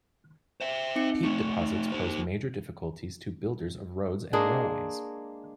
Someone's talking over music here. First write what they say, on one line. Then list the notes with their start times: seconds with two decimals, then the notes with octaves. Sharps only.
Peat deposits pose major difficulties to builders of roads and railways.
0.61 C5 E5
0.96 C4 D#4 C#7
1.23 C3 A3 C#7
1.61 D#4
1.92 A#3 D#4 C5
4.33 G#3 A#3 D4 G#4